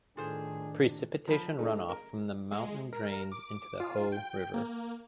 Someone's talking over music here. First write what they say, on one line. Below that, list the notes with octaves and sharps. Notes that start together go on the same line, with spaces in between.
Precipitation runoff from the mountain drains into the Hoh River.
A2 D#3 D4 F4 G#4 A4 C5
F3 B5
C#3 A3 D#4
A#4
G#3
A#4
D6
F4
G5
A#3